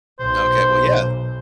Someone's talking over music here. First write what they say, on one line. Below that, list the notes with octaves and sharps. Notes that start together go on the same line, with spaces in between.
Okay, well, yeah,
B1 C5